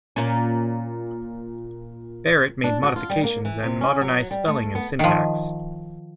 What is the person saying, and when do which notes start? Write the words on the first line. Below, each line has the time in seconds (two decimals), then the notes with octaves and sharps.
Barrett made modifications and modernized spelling and syntax.
0.16 A#2 C#4
2.64 D4
2.83 F#4
2.96 F4
3.10 G3
3.24 A#3
3.45 E3
3.63 C3
3.81 C#4
4.01 F#3
4.31 G3
4.48 A3
4.75 B3
4.99 D#3 F3